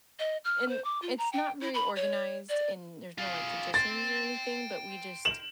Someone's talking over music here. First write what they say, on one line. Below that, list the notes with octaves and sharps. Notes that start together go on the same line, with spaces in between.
and it's not very organized and there's no like traditions or anything, but we just
D#5
F6
C5
D6
F4
A#5
G5
E4
B5
C#5
D5
F4 G#4
G5 C6 A6
E7 F#7